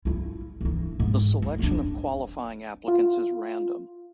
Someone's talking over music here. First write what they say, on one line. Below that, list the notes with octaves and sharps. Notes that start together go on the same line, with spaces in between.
The selection of qualifying applicants is random.
E4 F4
G1 E3
G#2
F#3
F2 D4
F4